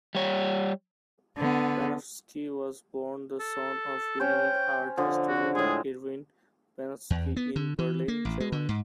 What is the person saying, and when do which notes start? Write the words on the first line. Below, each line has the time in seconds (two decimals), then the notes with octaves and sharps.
Panofsky was born the son of renowned art historian Erwin Panofsky in Berlin, Germany.
0.15 G3 C#5
1.37 D3 B3
3.39 A4
4.20 C#4 C5 G5
4.97 D3 F3
5.28 F#4
5.55 A2 G#3 G#4
7.10 E2
7.36 B3
7.56 D3
7.79 E3
8.08 A#3
8.25 A1
8.40 G#3
8.52 D3
8.69 G#2